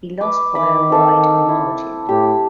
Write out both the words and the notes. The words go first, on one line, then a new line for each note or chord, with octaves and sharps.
He lost by a wide margin.
B4 D6
D#3 B5 D6
C4 A4 F5
E4
A2 G4